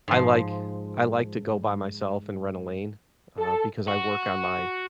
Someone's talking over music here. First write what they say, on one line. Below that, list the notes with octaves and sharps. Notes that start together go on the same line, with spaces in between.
I like I like to go by myself, and rent a lane, uh, because I work on my
G#2 F3
A4
F#4